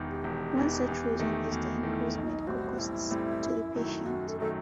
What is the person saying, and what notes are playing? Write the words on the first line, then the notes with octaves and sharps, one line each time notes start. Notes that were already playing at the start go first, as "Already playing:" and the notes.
One such reason is the increased medical costs to the patient.
Already playing: E1 E2 D#3
G4
E1
E2 D#3
E2
D#3 A3
E2 F#4
D#3 A3 E4
B1 D#4
A2 G3 C4 F#4
B1 E4
A2 G3 C4
F#2
D#3 F#3 A3
F#2 F#4
A4
D#3 F#3 A3 A4